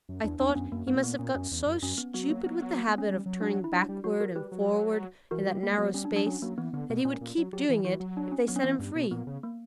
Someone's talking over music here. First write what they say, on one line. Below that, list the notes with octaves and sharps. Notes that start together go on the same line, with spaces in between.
I thought he must have got so stupid with the habit of turning backward and forward in that narrow space that he would keep doing it if they set him free.
F#2
E2 D4
E2 D4
B3
F#2 C#4
F#2 A#3
G2 B3
B2
A#2 B3
A#2 C#4
F#2 C#4
E2
F#2
F#2 C#4
B3
F#3 B3
A#3
B3
B3
A#3
B3
C#4
G3
F#3
D4
E4
F#3 D4
G3
F#3 F#4
F#4 A#4
G3 G4 B4
F#3
E3 F#4 A#4
G3 G4
G3 A#3
F#3 B3
G3 C#4
D4
F#3
D4
F#3 C#4
F#3 A#3
E3 B3
D3 B3
B2 B3
A#2 C#4
A#2
F#3
F#3 G4
E3
E3 F#4
F#3
D4
C#4
F#3 B3
C#4
E3 B3
G2
B2
A#2 B3
C#3
A#3